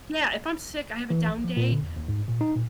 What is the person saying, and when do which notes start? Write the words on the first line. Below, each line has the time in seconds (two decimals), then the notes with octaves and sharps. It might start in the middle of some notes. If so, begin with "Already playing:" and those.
yeah, if I'm sick, I have a down day,
1.10 E3
1.27 A#1
1.44 F3
1.57 A#2
1.72 D3
1.83 E2
1.96 D#2
2.08 G#2
2.28 A#2
2.41 D#4
2.56 A#2